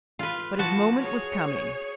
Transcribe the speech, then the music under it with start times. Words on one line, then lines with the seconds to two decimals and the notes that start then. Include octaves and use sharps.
But his moment was coming.
0.19 F4 B4
0.59 F3 F#4 A5
1.02 G#4 C#5